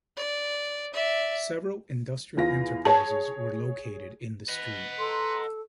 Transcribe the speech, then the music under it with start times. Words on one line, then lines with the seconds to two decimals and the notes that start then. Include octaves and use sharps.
Several industrial enterprises were located in the street.
0.16 D5
0.93 D5 E5
2.37 E2 F4 A#6
2.85 G#4 C#5 A5
4.49 B4 D#5 F#5
4.98 A4 A#5 C6